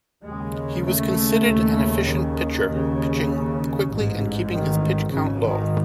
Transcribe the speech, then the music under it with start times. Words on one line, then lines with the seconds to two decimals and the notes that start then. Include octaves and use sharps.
He was considered an efficient pitcher, pitching quickly and keeping his pitch count low.
0.24 D#2 G#3
0.29 C#3
0.85 A3
1.46 D#2 C#3
2.06 D#3
2.68 D#2 C#3
3.89 A1 G#2
4.51 D#3
5.11 G#1 G#2 C#3
5.42 D#3